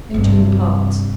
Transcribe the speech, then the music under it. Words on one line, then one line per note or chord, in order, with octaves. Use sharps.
In Two Parts.
G2 C3